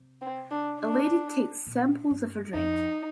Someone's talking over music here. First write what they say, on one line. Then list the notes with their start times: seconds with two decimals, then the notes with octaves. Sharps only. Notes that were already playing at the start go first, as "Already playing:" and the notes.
A lady takes samples of a drink.
Already playing: C3
0.21 C4
0.51 D4
0.80 D4
1.67 A#2
2.11 G2
2.54 F2 D#4